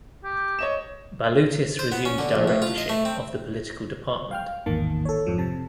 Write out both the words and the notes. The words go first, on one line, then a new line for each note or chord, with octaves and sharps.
Balutis resumed directorship of the Political Department.
G4
C#5 D#5 E7
C5
B3
C#4
D3
A#1
A2
F4
D#5
A3
C4
F5 G5 F6
A1 E2 G#2 D#3 A#3 A5
A4 C#5
F2 G#2 F3
C3 A5